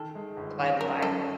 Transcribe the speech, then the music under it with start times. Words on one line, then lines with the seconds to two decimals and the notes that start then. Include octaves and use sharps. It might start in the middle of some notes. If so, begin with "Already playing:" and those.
by the Bible.
Already playing: D#3 A4
0.15 G#3
0.37 G1
0.59 D#3
0.81 F#2 A#4
1.02 F#2 A4